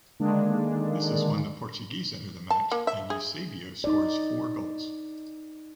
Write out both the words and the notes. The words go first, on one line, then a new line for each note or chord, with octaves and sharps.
This is when the Portuguese enter the match and Eusebio scores four goals.
D3 D#3 G#3 A#3 D4
A5
A#3
E5
G#4
D#4 D5